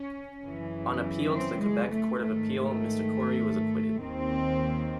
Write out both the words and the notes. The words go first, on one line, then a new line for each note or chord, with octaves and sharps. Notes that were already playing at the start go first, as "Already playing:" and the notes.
On appeal to the Quebec Court of Appeal, Mr. Kouri was acquitted.
Already playing: C#4
F#2 C#3 E3
C4
G#3
A3
G#2 D#3 A3
A3
D#2 D#3 C4